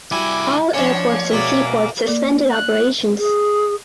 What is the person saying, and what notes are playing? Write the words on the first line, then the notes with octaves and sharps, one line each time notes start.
All airports and seaports suspended operations.
C2 G3 E4 F#4 G#5 D6
F3 C#4 D4 E4 C#5 D5
B2 G#3 A#3 F#4 D5 E5 D6
A#3 D5
F#6
G#4